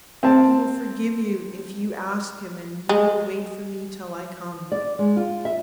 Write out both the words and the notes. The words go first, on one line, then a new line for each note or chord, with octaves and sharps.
He will forgive you, if you ask Him, and you will wait for me till I come.
C4 A5
G#3
D5
G#3
F4
E5